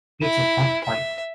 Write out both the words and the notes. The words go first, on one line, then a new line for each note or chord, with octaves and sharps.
It's a tough fight.
E4
E5